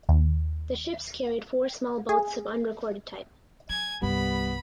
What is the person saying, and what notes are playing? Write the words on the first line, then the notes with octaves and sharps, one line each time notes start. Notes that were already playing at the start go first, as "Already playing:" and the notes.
The ships carried four small boats of unrecorded type.
D#2
G#4
F#3 G#5 G#6
C2 G2 G3 B3 B5